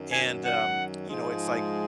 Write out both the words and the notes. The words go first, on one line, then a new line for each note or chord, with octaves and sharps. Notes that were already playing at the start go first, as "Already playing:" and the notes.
And, um, you know, it's, like,
Already playing: F#2 D#3 F#3
G#5
F#5
G#2 F3 G#3